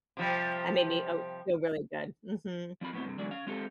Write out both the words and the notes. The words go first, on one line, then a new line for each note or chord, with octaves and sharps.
I made me o feel really good. Mhm.
C3 F3 G3
F3 C4 F4 B5
A2 B3 C4
G2 C3
E2 D3 F#3 G#3 D5
C#4 F5
G#3 C4 F4 G4 A4